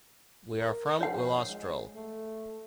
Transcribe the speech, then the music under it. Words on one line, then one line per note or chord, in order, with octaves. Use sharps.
We are from Ullastrell.
A#4
F3 C#5 F#5
G#3
A3